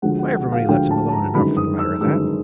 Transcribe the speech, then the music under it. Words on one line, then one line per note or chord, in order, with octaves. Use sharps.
'Why everybody lets him alone enough, for the matter of that.
D2 D3 F3 G#3 F#5
F#5
F#5
F5
D2 D3 F3 G#3 G5
A5
A5
A#5
G1 F#2 D#3 G#3 B5
D#6
E6
G1 F#2 D#3 G#3 E6